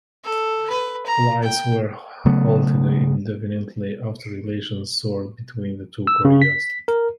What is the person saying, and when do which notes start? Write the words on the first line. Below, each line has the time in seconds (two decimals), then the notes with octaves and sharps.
Flights were halted indefinitely after relations soured between the two Koreas.
0.24 A4
0.70 B4
1.06 A#5
1.43 G5
2.25 C#3 F#3 A3 B3
6.07 E6
6.25 C#3
6.42 B6
6.88 A#4